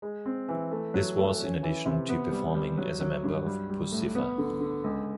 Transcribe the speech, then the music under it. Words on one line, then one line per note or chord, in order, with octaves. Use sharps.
This was in addition to performing as a member of Puscifer.
G#3
C4
E3
A3
F#3
A3
C#4
E3
C3
B3
G3
G3
F#3
F#3
G2
G3
G3
A2
B3
D3
D3
C#2